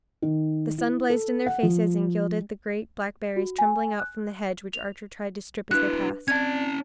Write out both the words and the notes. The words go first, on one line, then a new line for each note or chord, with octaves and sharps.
The sun blazed in their faces and gilded the great blackberries trembling out from the hedge which Archer tried to strip as they passed.
D#3
E4
A4
F#5
F3
F#4
G#5
F#6
F7
D4 E4 F#4 B4 F#6
C4 C#4 D5 A5 G#6